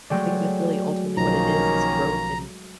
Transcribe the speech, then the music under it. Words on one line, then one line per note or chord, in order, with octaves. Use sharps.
I think that's really ultimately what it is, is growth, and
F#3 G#3 A3 D5 G5
B1 D#3 F3 A#3 C#4 A#5